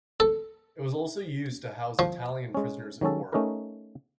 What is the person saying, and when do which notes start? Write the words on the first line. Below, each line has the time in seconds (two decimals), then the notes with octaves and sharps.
It was also used to house Italian prisoners of war.
0.20 A4
1.99 F3
2.55 G#3 C#4
3.01 D#3 F#3 G#3 C#4 A4
3.32 A3 C#4 D#4 G4 A#4 B4